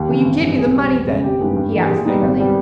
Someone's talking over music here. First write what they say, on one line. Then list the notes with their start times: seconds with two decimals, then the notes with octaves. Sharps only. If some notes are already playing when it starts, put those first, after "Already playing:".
"Will you give me the money then?" he asked angrily.
Already playing: D#2 G4
0.08 C#3 E3
0.26 G#1
0.41 G2 E3
0.57 B1 G#4
0.74 B2 G3
0.91 E2
1.07 C#3 G#3
1.24 G#1 G4
1.40 G2 D#3 G#3 B3
1.56 G2
1.72 E3 A#3
1.82 G4
1.89 A#2 G#4
2.05 G3 B3 D#4
2.22 G#1
2.40 G3 B3